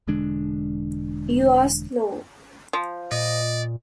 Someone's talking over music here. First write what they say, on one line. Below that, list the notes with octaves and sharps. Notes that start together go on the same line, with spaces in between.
You are slow!
E1 D3 G#3 D4
F3
A#2 D5 D#5